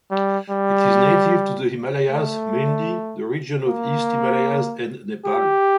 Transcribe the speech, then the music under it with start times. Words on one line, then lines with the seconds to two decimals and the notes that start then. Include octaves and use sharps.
It is native to the Himalayas mainly the regions of East Himalayas and Nepal.
0.11 G3
0.50 G3
2.09 A3
3.67 A#3
5.26 G4